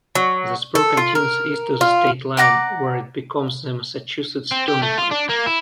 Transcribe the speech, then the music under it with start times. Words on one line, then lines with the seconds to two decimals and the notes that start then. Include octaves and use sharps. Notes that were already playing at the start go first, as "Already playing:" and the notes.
The spur continues east to the state line, where it becomes the Massachusetts Turnpike.
0.15 F#3
0.75 A4
0.97 F4
1.15 A#4
1.81 F4
2.37 D5 F#5 A#5 D6
4.51 C4
4.68 G4
4.82 A3
4.98 F4
5.11 D4
5.29 A#3
5.46 E4